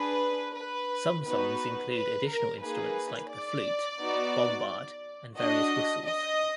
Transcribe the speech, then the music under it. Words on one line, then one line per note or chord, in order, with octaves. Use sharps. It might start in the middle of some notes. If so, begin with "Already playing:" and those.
Some songs include additional instruments like the flute, bombarde and various whistles.
Already playing: D4 G#4 B4
B4
B3 D#4 F#4 B4
B4
A#4
A#3 D#4 G#4 B4
D5
B3 D#4 F#4
D4 F#4 D#5
D#5